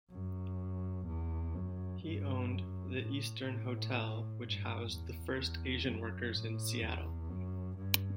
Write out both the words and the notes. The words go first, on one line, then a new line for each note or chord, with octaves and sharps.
He owned the Eastern Hotel which housed the first Asian workers in Seattle.
F#2
E2
F#2
G2
F#2
A2
A2
G2
E2
E2
F#2
A2
E2
F#2
G2